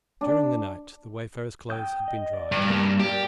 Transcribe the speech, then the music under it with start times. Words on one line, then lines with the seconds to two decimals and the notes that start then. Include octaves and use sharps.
During the night the wayfarer's clothes had been dried.
0.21 D4
1.70 G5 D#6 G6
2.08 D#5
2.33 D5
2.52 G2
2.70 A#3 G4 A5
3.00 G4 A#4 D5